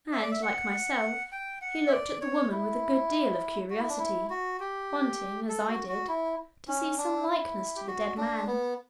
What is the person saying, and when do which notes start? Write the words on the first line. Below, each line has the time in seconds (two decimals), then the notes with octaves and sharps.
And, like myself, he looked at the woman with a good deal of curiosity, wanting--as I did--to see some likeness to the dead man.
0.13 E5
0.22 D5
0.31 E5
0.43 F#5
1.32 G5
1.62 F#5
1.87 E5
1.92 D5
2.22 C#5
2.52 E4
3.70 F#4
3.80 E4
3.89 D4
3.99 E4
4.30 F#4
4.60 G4
5.49 A4
5.69 F#4
5.89 F#4
6.08 E4
6.68 C#4
6.98 D4
7.27 E4
7.76 G4
7.88 F#4
8.18 D4
8.47 B3